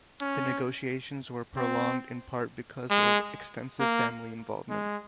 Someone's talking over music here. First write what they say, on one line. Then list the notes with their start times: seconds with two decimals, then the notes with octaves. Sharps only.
The negotiations were prolonged in part because of extensive family involvement.
0.21 C#4
1.56 C4
2.91 G#3
3.80 A#3
4.70 G#3